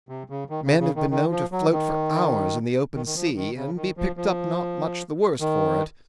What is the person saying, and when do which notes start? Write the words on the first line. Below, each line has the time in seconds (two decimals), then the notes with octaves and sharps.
Men have been known to float for hours--in the open sea--and be picked up not much the worse for it.
0.09 C3
0.30 C#3
0.50 D#3
0.65 C#3
0.80 C#3
0.96 D#3
1.11 D#3
1.31 F3
1.52 F#3
1.72 D#3
2.95 D#3
3.06 D#3
3.15 F3
3.36 D#3
3.56 C#3
3.77 D#3
3.97 F3
4.17 F3
5.40 D#3